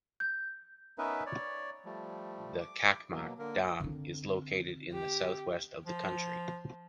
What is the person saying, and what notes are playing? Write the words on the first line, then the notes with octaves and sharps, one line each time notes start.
The Çakmak dam is located in the southwest of the county.
G6
B3 C#4 D#4 A#4 B4 E5
C#5 D5
F3 G3 A3
D6
B2 F#3 A#3
D3 A#3 A#4
D3 C4
G4
F3